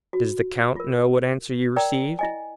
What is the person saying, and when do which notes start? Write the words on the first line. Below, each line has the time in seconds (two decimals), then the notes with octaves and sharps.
"Does the count know what answer you received?"
0.13 F#4
0.76 F4 A#4
1.76 A#4 D5 G5 A#5
2.19 E4 D#5 G#5